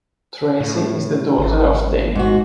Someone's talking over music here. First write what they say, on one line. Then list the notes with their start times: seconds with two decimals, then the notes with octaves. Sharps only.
Tracy is the daughter of Dany.
0.60 A2
1.38 G#1
2.16 G#2 F#4